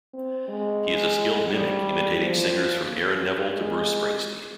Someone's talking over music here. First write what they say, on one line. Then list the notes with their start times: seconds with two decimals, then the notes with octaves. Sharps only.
He is a skilled mimic, imitating singers from Aaron Neville to Bruce Springsteen.
0.14 C4
0.48 G#3
1.50 G3
2.18 F3
3.55 G#3